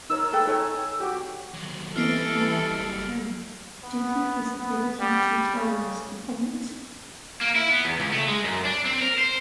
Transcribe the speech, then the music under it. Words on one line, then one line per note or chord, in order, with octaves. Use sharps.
Nicknamed "Terror" due to his ability to terrorise opponents.
D#4 A#4 C#5 E6
A4 B4 G5
D#4 A4 C#5 G#5
F#4 G4
D#2 F#3
E3 G3 A4 D#5 F6 C7 D7
F#1
B3
B3
G3
C#3
A#3
E4
B3
E2
C#2
A3
G#3
F#2
D4
C4
A#4
C5